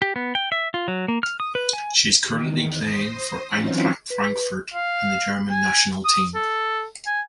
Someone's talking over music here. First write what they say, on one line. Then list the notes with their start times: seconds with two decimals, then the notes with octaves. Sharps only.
She is currently playing for Eintracht Frankfurt and the Germany national team.
0.02 G4
0.16 B3
0.35 G5
0.52 E5
0.74 F4
0.88 F#3
1.08 A#3
1.23 F6
1.40 D#6
1.55 B4
1.73 G#5
2.26 E2 D#3
2.79 C5 D#6 A#6 C7
3.50 E3 F#3 C4 C#4 D#4 F4
4.10 B4
4.74 F5
5.51 G#5
6.05 D#6
6.35 A4
7.06 G#5